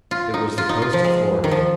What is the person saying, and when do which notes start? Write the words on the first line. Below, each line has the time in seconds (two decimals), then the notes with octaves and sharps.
It was the coast of Florida.
0.11 F4
0.34 D#4
0.58 F4
0.69 D#4
0.82 F4
0.93 F3
1.04 G#3
1.44 D#3
1.51 F3